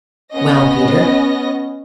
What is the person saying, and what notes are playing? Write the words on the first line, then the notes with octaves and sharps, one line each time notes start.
"Well, Peter?"
B3 C#4 D#5 A#6